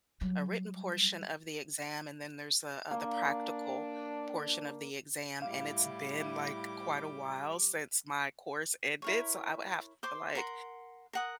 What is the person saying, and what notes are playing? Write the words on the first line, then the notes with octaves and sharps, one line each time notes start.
a written portion of the exam, and then there's a, uh, the practical portion of the exam, and it's been, like, quite a while since my course ended, so I would have to, like
F#3 G3
A#3 D4
A2 G3 E4 F5 D6
E4 A#4 C#5
C5 C6 D6
A#4 F#5 C6
A#4 F#5 D#6